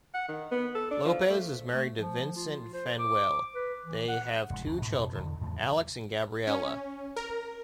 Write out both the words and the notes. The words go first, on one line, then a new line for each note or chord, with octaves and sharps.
Lopez is married to Vincent Fanuele; they have two children, Alex and Gabriella.
F#5
D#3
B3
A4
D4
F3
A3
A3
F3
F4
C5
D6
B4
E3
F#5
F1 G#2 D3 G#3
D1 G1 C#4
G#2 B2
F2 B2
E2 D3
E2 A2 C#3 F3
C#4
A#4